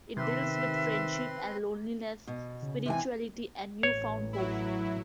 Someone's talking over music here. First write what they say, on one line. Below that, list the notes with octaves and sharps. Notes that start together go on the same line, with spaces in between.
It deals with friendship and loneliness, spirituality and newfound hope.
C3 D#3 C4 B4 E5 C6
B2
C#3
C3 E3 G#5
A1 C#5
F#3 E4